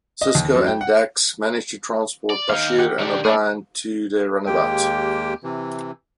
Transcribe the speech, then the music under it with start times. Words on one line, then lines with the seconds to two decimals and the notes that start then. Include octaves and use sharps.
Sisko and Dax manage to transport Bashir and O'Brien to their runabout.
0.21 D#5
0.35 D#2
0.54 F#2
0.67 G5
0.81 F#5
2.30 D5
2.50 D#2 D#4 F5
2.79 G4 F#5 G5
2.99 D#3 D4 G4 D5
3.25 A3 D4 G#4 A4 D5
4.46 D#2 G#3 A#3 G4 G5
5.44 C3 E3